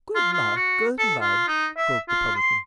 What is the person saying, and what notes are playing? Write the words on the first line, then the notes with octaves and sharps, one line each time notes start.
"Good lad! good lad!" croaked the publican.
F4
F4
F#4
A4
F4
D#4
E5
F4
C6